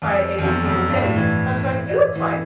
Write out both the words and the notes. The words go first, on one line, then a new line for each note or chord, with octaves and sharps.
by a, you know, Denny's. I was going, "It looks fine."
F2
F2
E2
F2
G2
A2
E3
E3